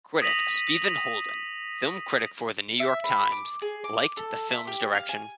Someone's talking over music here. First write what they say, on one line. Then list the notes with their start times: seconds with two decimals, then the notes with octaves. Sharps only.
Critic Stephen Holden, film critic for "The New York Times", liked the film's direction.
0.22 D#6 A#6 B6 D#7 F7 F#7
2.80 E5
3.04 B5
3.32 D6
3.62 G#4
3.84 D6
4.17 A4
4.51 E5
4.67 G4
4.94 F5
5.09 G#5